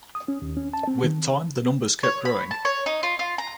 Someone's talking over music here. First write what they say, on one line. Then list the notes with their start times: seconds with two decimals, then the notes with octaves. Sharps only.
With time the numbers kept growing.
0.15 D#6
0.28 C#4
0.42 D#2
0.57 C#4
0.73 A5
0.88 C4
1.04 D#3
2.03 C#5
2.25 B5
2.51 A5
2.65 C#5
2.86 D#4
3.03 F4
3.19 F4
3.38 A#5